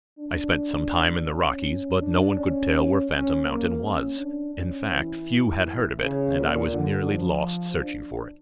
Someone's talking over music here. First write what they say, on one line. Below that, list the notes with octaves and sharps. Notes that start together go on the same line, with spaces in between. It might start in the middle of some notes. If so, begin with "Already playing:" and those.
I spent some time in the Rockies, but no one could tell where Phantom Mountain was; in fact, few had heard of it, and I was nearly lost searching for it.
D4
C#4
D4
C#4
C#4
A#3
C#4
D4
C#4
E3
C#3
A#2
D3
F3
D4